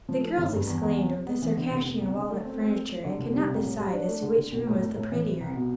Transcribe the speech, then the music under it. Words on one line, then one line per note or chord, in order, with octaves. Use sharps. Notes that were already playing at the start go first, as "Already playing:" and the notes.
The girls exclaimed over the Circassian walnut furniture and could not decide as to which room was the prettier.
F3
A3
G1
G2
E2
E2
C3
C3
B3
E3
D3
F1
B3
C2
D3
A3
C4
C4
A3
A3
D3
F1
G3
C2
A2
G3
D4
A3
D3
D3
B1
A2
A2
A2
E3
C3
C2
B2